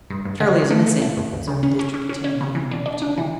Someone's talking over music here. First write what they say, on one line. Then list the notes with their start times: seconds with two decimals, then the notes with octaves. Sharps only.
"Shirley is missing," observed the district attorney, in an undertone.
0.10 G2
0.25 G2
0.40 D3
0.56 D3
0.70 A3
0.87 A3
1.02 E4
1.17 G2
1.32 D2
1.48 C#3
1.63 C#4
1.79 C#4
1.94 C#4
2.09 C#4
2.24 C#4
2.41 C#3
2.55 E3
2.71 D4
2.86 D4
3.02 D4
3.18 E3